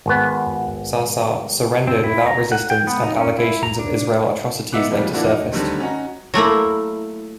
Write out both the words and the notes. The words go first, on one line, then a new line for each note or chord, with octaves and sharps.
Sa'sa' surrendered without resistance and allegations of Israeli atrocities later surfaced.
G#1 B3
C4
E4
A#5
F#5
G5
B3
D#4
C#4
E4
A#5
D4
B3 D#4 E5 F#5 D6 F#6
F2 A#2 F3 G3
E3 F3 A#3 D4 E4 F#4
D#4
D3 D#3 F#3 G3 A3 C4
C#4 D#4 F#4 A#5
F#3 A3 A#3 E4